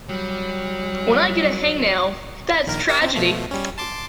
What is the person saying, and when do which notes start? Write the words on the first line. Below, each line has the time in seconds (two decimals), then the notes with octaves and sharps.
When I get a hangnail, that's tragedy.
0.09 F#3 G3
2.66 A#1 D#3 A#4
2.89 G4 A#4 E5
3.02 C4
3.16 B2 F3 A3
3.51 G3 C#4
3.78 A5 C6 D6